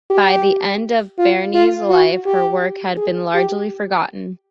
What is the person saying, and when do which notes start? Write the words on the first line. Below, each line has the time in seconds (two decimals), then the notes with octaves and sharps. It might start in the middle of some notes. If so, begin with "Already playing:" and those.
By the end of Barney's life her work had been largely forgotten.
0.10 G4
1.18 F4
1.55 F4
1.90 F#4
2.26 G4
2.97 G#4
3.34 G4